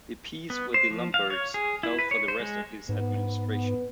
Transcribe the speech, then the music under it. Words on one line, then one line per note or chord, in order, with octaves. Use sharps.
The peace with the Lombards held for the rest of his administration.
B3
C5
F3
F5
C#5
G#4
E4
B4
C#5
C5
G#3
G#2 B3